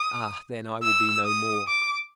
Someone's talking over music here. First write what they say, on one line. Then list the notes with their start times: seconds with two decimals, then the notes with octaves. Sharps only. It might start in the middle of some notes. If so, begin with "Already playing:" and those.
Ah! then I will be no more!
Already playing: D#6
0.83 E6
1.25 D#6
1.67 D6